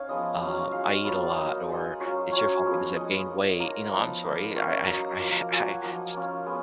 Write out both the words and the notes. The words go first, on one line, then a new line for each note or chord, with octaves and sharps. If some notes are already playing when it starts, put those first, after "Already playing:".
um, "I eat a lot," or, "It's your fault because I've gained weight." You know, "I'm sorry. I I I h I h st"
Already playing: C#4 D#4 F5 G#5
F3 G#3 B3 F4 D#5
F#3 C#4 F4
G#3 D#4 F5
F#3 B3 F4
A#3 D#4 D#5
G#3 D#4
F#3 C#4 F4
F#3 C#4 F4 C#5
F3 G#3 B3 F4
G#3 D#4 D#5
A#3 D#4
A#3 D#4 A#5
F3 B3 D#4
A#3 D#4 B5
A#3 C#4 F4
F#3 A#3 D#4 A#5
F3 A#3 F4
F#3 A#3 F4 G#5
F#5
F3 A#3 D#4
A#3 C#4 F4
G#3 B3